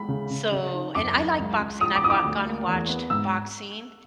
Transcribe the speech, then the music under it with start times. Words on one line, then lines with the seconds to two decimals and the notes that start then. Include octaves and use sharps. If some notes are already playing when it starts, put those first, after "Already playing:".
So, and I like boxing, I've wa gone and watched boxing,
Already playing: G#3 B5
0.08 C#3
0.31 C#3
0.52 C#3
0.74 D#4
0.95 F#2 D6
1.17 F#2
1.38 C#2
1.60 C#2
1.81 F3 D#6
1.96 D6
2.02 F3 D#6
2.10 D6
2.24 D2
2.46 A#3
2.67 E2
2.88 B3
3.10 G#2 E6